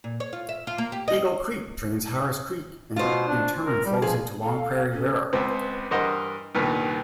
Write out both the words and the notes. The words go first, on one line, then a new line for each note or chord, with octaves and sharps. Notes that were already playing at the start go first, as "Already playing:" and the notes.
Eagle Creek drains Harris Creek, and in turn flows into Long Prairie River.
A#2
C#5
F4
E5
F4
A#3
G4
D#5
B2 F4 C5
D4
A#4
G3
F3 G#4
A4 F5
C#4 A4
C#2 B3 C4
G2 E3 A#4 C5 D#5 F#5
C2 G2 A#2 D#3 B3